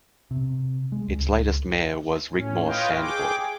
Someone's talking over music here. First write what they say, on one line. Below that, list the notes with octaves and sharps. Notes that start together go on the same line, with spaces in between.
Its latest mayor was Rigmor Sandborg.
C3
G#3
C#2
A2 C#4
F4 B4 C#5 D#5 F5 G5
G#4 G5 D6